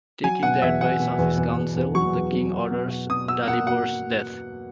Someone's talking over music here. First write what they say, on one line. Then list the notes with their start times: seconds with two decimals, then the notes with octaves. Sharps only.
Taking the advice of his council, the king orders Dalibor's death.
0.23 F#3 G#5
0.43 B2 F#5
0.62 E2 E5
0.81 E2 F#5
1.00 B2
1.19 E2
1.38 E2
1.57 E2
1.76 E2
1.95 F#3 C#6
2.15 E2
2.33 F#3
2.52 F#4
2.71 B2
2.90 F#4
3.09 B2 D#6
3.28 F#4 E6
3.48 A#3 F#5
3.66 F#4 F#5